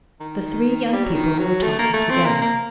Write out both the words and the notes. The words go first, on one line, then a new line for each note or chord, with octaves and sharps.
The three young people were talking together.
D#3
G3
F#3
D#3
F#3
A3
A#3
A3
C4
A#3
A#3